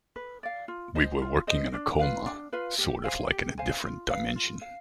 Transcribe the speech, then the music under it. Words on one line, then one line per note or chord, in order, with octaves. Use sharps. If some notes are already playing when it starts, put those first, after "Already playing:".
We were working in a coma, sort of like in a different dimension.
B4
D5 F5
F4
C5 D#5
F4
C5 D#5
D4
F4 B4 F5
D4
F4 B4 F5
G4
C5 F5 G#5
G4
C5 F5 G#5
F4
B4 F5
F4
F5